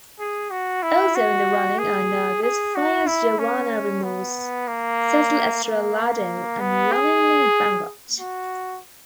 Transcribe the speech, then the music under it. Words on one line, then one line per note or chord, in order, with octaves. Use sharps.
Also in the running are Naga's finest Joannah Ramores, Cecil Estrallado and Luningning Bangot.
G#4
F#4
E4
F#4
G#4
G#4
F#4
E4
C#4
B3
A#3
A#3
B3
G#4
F#4